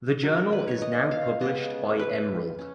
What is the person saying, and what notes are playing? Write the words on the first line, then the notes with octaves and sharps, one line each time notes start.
The journal is now published by Emerald.
D#3 F#3 C#4
A#4
B4
C#5
D#5
F5
C#3 G#3 B3 D#5
B4
C#4